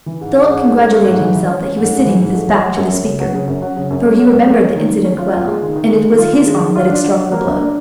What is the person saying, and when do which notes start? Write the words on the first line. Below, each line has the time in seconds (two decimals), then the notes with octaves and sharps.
Philip congratulated himself that he was sitting with his back to the speaker, for he remembered the incident well, and it was his arm that had struck the blow.
0.06 E3
0.21 G#2
0.35 C#4
0.49 G#2
0.63 C#4
0.78 A3
0.92 A3
1.05 G#2
1.20 E3
1.35 E3
1.48 C#4
1.62 C#4
1.77 G#2
1.92 G#2
2.05 E3
2.19 G#2
2.34 A3
2.48 F#3
2.62 F#3
2.77 F#2
2.91 F#2
3.04 C#3
3.20 F#3
3.34 C#3
3.48 F#2
3.62 F#3
3.77 C#3
3.90 F#2
4.05 A3
4.19 F#3
4.32 F#2
4.47 A3
4.62 C#4
4.76 D#3
4.90 D#3
5.05 C#4
5.18 F4
5.33 F4
5.48 G#3
5.62 D#3
5.76 D#3
5.89 G#3
6.04 D#3
6.18 F4
6.33 D#3
6.46 G#3
6.61 D#3
6.76 F4
6.89 D4
7.04 F#3
7.18 F#3
7.32 A#3
7.46 D4
7.60 D4